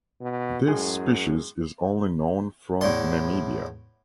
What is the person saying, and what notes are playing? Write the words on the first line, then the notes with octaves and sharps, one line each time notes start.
This species is only known from Namibia.
B2
F#2 A2 G#3 G#4
E2 A2 D5 C6